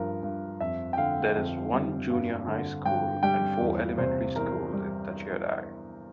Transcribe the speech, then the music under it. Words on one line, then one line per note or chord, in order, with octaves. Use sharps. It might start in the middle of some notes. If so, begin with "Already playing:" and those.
There is one junior high school and four elementary schools in Tachiarai.
Already playing: G2 F3 A#4
G2
F2 E5
G5
D3 F5
F2
G3
G2
D3
G2 G5
G3 G5
E2
C3 C5
E2 A#4
G3